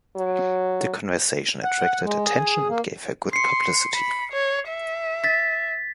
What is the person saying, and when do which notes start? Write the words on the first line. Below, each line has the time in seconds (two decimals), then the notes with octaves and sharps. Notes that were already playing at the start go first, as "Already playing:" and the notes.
The conversion attracted attention and gave her good publicity.
0.16 F#3
1.64 F#5
2.05 G#3
2.25 G#4
2.70 A#3
3.33 C6 C7 C#7
3.93 B5
4.32 C#5
4.68 E5
5.24 A6 B6